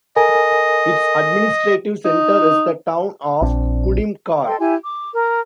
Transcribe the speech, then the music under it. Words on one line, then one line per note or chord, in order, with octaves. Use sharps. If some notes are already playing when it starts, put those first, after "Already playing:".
Its administrative center is the town of Kudymkar.
A4 A#4 D#5 G#5
D#4
A#1 C4 D4
A4 D#5 G5 C6
E4 G4 G#5
D6
A#4